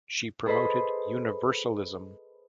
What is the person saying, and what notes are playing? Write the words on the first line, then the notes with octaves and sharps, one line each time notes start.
She promoted universalism.
G#4 A4 B4 C5 D#5 B5